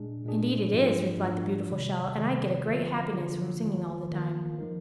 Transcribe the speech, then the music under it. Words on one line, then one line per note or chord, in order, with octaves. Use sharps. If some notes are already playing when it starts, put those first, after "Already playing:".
"Indeed it is," replied the beautiful shell, "and I get a great happiness from singing all the time."
Already playing: A#2 G#3 D4 G#4
A#2 G#3 D4 G#4
G#2 F3 G#3 D4 F4
G#2 F3 G#3 D4 F4
C3 D#3 G3
C3 D#3 G3
D3 F3 A#3 F4
D3 F3 A#3 F4
D#3 A#3 F4
D#3 A#3 F4
F3 G#3 D#4 A#4